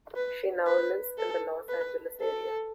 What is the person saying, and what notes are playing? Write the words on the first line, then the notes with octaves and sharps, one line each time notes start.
She now lives in the Los Angeles area.
B4
B4
A4
B4
A4